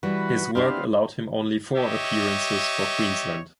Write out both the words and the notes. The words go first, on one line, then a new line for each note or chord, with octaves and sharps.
His work allowed him only four appearances for Queensland.
E3 G3 F#4 B4
B3 C4 D4 E4 G4 F5
G4 C#5 D#5 E5